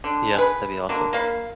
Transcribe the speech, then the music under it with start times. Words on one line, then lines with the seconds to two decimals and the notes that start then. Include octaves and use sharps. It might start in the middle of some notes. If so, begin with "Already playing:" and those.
Yeah. That'd be awesome.
0.04 D3
0.35 G#4 B4
0.89 D3 F#3 A#3
1.13 A#3 F5 B5